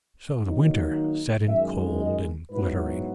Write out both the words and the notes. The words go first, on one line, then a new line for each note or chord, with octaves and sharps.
So the winter set in cold and glittering.
D#3 F#3 A#3 D#4
F#2 D#3 G#3 E5
D#5
G#2 F#3 B3 E4 B4